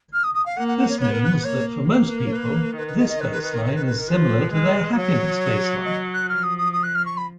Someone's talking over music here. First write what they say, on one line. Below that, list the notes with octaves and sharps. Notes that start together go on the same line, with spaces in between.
This means that for most people, this baseline is similar to their happiness baseline.
F6
D#6
D#6
F5
A#3 F#5
F#5
F#5
C#5
B3 C#5
A#4
B4
B4
A#3 C#5
A#3
B4
A#4
C#5
B4
D#3 B4
B4
D#5
D#5
B4
B4
B4
A#4
A#4
C#5
B4
B4
A#4
F3 B4
G#3
F#3 C#5
D#5
F#6
F3 F6
D#6
D#6
D#6
F#6
F6
C#6
B5